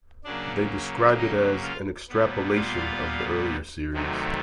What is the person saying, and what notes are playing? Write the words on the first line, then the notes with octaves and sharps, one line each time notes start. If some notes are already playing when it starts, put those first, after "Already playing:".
They describe it as an "extrapolation" of the earlier series.
C#3 F#3 A#3 D4 D5
D#4 D#5
F4 F5
A#2 G3 B3
F4 F5
D2 C3 D#3 F#3 A3